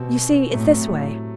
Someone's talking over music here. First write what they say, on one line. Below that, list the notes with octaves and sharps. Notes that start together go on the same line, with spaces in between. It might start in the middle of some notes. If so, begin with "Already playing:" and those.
You see it's this way.
Already playing: B2 G3 C4 F#4 C5
A2 C3 F#3 A3